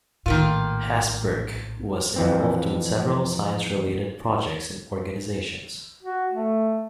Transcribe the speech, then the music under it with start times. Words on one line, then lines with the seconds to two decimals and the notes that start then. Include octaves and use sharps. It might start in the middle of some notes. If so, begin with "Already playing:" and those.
Hesburgh was involved with several science-related projects and organizations.
0.26 A#1 A2 D#3 A#3 F4
2.16 F2 E3 C4
6.03 F#4
6.32 A3